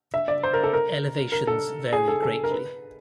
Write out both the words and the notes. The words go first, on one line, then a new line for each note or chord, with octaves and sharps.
Elevations vary greatly.
E5
D5
C5
A#4
A4
A#4
A#4
A4
G#4
A4
A4
A#4
B4